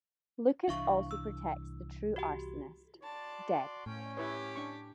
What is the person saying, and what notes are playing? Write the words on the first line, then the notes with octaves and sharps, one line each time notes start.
Lucas also protects the true arsonist: Deb.
C2 E3 D4 E5 F5 C#6
E6
F#4 G4
F#4 D5 A5 C6
A2 C#4 G5
E4 G4 B4 C#5
D4 C#6